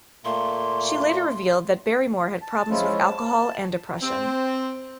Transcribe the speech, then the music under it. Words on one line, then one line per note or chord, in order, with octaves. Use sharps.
She later revealed that Barrymore had problems with alcohol and depression.
A#2 A3 A#3 C6
A5
F3 G#3 C#4 E4 F4
A5
C4